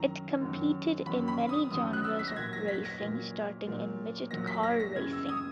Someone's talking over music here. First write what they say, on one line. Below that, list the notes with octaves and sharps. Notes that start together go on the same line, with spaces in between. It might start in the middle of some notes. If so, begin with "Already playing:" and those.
It competed in many genres of racing starting in Midget car racing.
Already playing: F#2 D#3 F#3 A#5
F#2 D#3 F#3
F#2 D#3 F#3 B5
B5
D#6
F#2 D#3 F#3 D#6
F#6
E6
B6
A#6
A#2 F#3 G#6
A#6
B6
A#6
A#2 F#3
A#2 F#3
A#2 F#3 A#6
B6
A#6
A#6
F#2 C#3 E3 G#6
E6
D#6